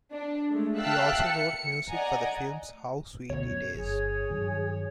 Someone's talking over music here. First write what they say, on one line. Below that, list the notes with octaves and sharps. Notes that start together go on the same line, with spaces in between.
He also wrote music for the films How Sweet It Is!
D4
G#3 A3
E5 F5 G5 A5 E6 F#6
C#7
D5 D#5 F#5 G#5 A#5
D2 B2 C#5
F#2
G1 G#4
G2 D#3 F#3